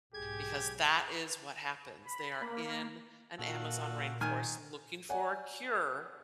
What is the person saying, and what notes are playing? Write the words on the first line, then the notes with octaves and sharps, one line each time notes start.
because that is what happens. They are in an Amazon rainforest looking for a cure,
B1 G#2 G4 G#4 G#6
B5
A#3
A#2 F4 F#4 A4
D#3 G#5 F6
C#5 D5 F#5 G#5